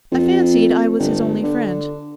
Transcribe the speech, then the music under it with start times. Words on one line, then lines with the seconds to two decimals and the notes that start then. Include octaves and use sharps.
I fancied I was his only friend.
0.12 F2
0.99 G1
1.43 D3